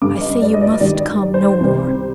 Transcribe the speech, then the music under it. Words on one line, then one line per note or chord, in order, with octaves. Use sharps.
I say you must come no more.
G2 D3 G3 D6
D#5
D5
D#5
D5
G2 D#3 G3 D5
C5
C2 C3 G3